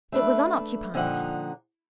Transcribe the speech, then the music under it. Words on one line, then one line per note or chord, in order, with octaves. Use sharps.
It was unoccupied.
A3 D4 B4
A#2 D3 F3 G3 D#4 F#5